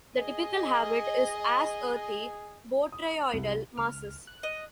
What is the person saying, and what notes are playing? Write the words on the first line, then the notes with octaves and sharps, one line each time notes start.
The typical habit is as earthy botryoidal masses.
G#4 D#5
D#6
C2
C#2 F6
F#6
D#5